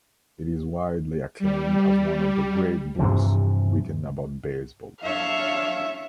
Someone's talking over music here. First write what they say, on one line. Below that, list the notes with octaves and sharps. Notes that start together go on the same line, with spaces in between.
It is widely acclaimed as one of the great books written about baseball.
G3
G2 C3 E3 F3
D4 C#5 E5 F5